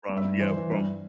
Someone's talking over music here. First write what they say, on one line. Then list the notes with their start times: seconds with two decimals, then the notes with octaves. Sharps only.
from yeah, from
0.09 G2
0.17 E5
0.25 G2
0.40 E3 C5
0.57 E3
0.72 G2